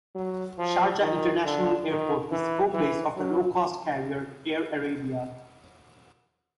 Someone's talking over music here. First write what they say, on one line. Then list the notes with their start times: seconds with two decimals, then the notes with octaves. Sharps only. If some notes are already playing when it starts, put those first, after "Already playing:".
Sharjah International Airport is home base of the low-cost carrier Air Arabia.
0.15 F#3
0.58 F3
1.01 D#3
1.45 D3
1.88 D#3
2.31 E3
2.74 E3
3.17 F#3